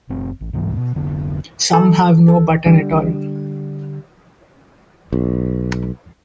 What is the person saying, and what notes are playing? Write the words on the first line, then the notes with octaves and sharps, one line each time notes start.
Some have no button at all.
F#1 C4
A1
D1 C2 G#2 E3
B2
F1 D3
A4
A4
D3 G3
B1